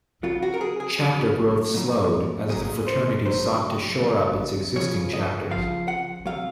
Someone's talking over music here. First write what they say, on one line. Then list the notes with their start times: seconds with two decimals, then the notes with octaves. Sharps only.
Chapter growth slowed, as the fraternity sought to shore up its existing chapters.
0.23 C#3 F#3 F4
0.42 F#4
0.54 A#4
0.61 G#4
0.80 G#4
0.99 C#3 F#3
1.74 A#2 F#3
2.49 A#2 F#3 G#4
2.87 C5
3.25 C#3 F#3 C5
4.00 C#3 F#3
4.76 C#3 F3 C#5
5.13 D#5
5.50 C#3 F3 F5
5.88 F#5
6.26 C3 F#3 F5